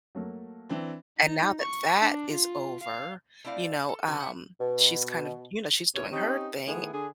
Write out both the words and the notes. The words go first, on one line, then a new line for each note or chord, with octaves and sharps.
And now that that is over, you know, um, she's kind of, you know, she's doing her thing.
F#3 A3 A#3
E3 C4 D4
D#4
C#6
D4
F4
F5
A3 C4 E4 D5 F5
A4
C#3 F#3 F#4 B4 G#5 A#5
E5 F#5
B2
D2 C3 E4 A#4 C#5
C4 C#4 D#4 G4
D#3 A3 B3 E4 G#4
D3 D4 G#4